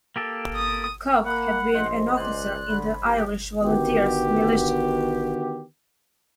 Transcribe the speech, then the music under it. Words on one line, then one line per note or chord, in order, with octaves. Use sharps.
Cooke had been an officer in the Irish Volunteers militia.
A#3 G4 A4
D#6
A#3 F#5 B5
A#1 G#2 C5 D#5 C6
C#2 C5 D5 G#5 F#6
D3 B5
F1 G4
D3 D#3 B3 F#4 G4